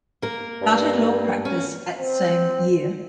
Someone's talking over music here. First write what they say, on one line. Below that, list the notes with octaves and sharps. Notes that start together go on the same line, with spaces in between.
Started law practice at same year.
A#3 A#4
G2
C#4
C4